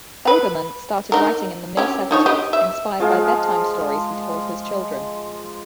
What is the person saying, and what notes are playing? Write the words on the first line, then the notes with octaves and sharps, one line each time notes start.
Oberman started writing in the mid-seventies, inspired by bedtime stories he told his children.
B4
D#4 A#4
C#4 G4
F3 D#4 C#5
G4 D#5
E5
F3 G#3 F5